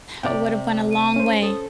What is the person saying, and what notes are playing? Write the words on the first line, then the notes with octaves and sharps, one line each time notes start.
That would've went a long way.
C3 D5 G5
D#7
C#4 C5
A4 D#6